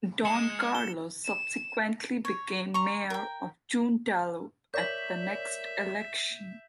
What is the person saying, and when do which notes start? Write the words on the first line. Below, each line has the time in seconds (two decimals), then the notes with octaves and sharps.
Don Carlos subsequently became Mayor of Joondalup at the next election.
0.25 G#3 C#7 E7
0.75 G7
1.24 E7
2.25 C#5
2.74 A#5 C6 C#6
3.10 A#4 G5
4.74 A#4 C#5 D5 E5 G6 B6 F#7